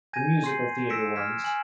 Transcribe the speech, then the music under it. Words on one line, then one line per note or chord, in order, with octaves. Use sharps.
The musical theater ones.
G#5 G6 G#6 A#6 D#7
C6 G6 C7
E6 A#6 B6 C#7 D7 E7
D6 F6 G#6 B6 E7
G#5 F#7